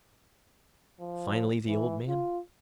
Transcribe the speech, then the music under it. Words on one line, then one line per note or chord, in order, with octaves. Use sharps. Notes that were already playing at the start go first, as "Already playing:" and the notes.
Finally, the old man?
F3
E3
F4